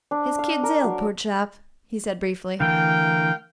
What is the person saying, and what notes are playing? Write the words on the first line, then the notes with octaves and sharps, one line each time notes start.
'His kid's ill, poor chap,' he said briefly.
D4
F5
A#4
F#3
D3 E3 A3 A#4 F5 G5